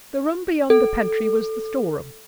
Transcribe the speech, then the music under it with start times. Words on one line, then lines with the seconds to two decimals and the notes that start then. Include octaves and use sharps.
The room beyond the pantry was the storeroom.
0.70 A4